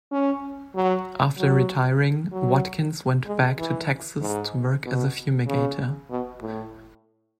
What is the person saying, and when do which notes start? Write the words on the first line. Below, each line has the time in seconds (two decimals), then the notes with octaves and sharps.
After retiring, Watkins went back to Texas to work as a fumigator.
0.12 C#4
0.75 F#3
1.37 F#3
2.32 F#3
3.26 G#3
3.58 E3
4.21 G#2
4.84 B2
5.47 C#3
6.10 B2
6.41 A2